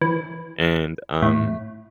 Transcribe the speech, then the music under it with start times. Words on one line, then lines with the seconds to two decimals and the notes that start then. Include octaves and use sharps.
And, um,
0.01 E3
1.22 A2